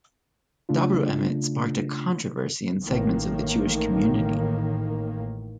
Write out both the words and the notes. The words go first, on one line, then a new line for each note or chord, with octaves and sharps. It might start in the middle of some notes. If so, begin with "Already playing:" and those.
Dabru Emet sparked a controversy in segments of the Jewish community.
C#3 A3 D4 F4
A1 A2 D#3 A#3